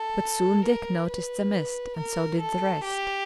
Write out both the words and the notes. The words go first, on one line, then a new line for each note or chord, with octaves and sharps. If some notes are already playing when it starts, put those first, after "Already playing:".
But soon Dick noticed the mist and so did the rest.
Already playing: A4
A#4
B4
A#4
A4
G4